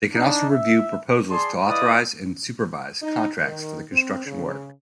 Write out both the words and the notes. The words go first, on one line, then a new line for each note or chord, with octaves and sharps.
They can also review proposals to authorize and supervise contracts for the construction work.
D4 D#4
E5
G#4 D5 A5 C6
E4 B4 D5 D#5 F5 D#6
D#4
D#3
C4
C#3